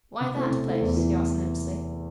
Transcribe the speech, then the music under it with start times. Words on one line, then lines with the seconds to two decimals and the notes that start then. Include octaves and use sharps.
"Why that place?" he asked nervously.
0.20 C3
0.35 A3 C4 E4
0.50 C3
0.66 A3 C4 E4
0.81 E2
0.97 E3